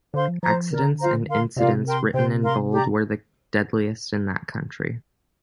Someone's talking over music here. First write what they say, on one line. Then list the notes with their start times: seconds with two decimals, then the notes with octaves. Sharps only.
Accidents and incidents written in bold were the deadliest in that country.
0.14 D3 C5 F5 C6
0.28 F3
0.42 F3 C5 A#5
0.71 D3 A#4 D5 A#5
0.99 F4 C5 F5 A#5
1.28 A#4 F5 C6
1.57 C3 F4 A#4 D5 F5
1.85 A#4 G5 C6
2.14 C3 C5 G5 C6
2.42 A#4 F5 C6
2.71 G4 D5 A#5